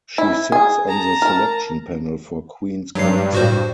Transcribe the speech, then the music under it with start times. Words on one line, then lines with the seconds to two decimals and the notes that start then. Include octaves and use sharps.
She sits on the Selection Panel for Queen's Counsel.
0.18 E4
0.52 G#4
0.88 A5 A#5
1.22 A#4
2.95 G2 F#3 C7
3.33 A2 F#4 C5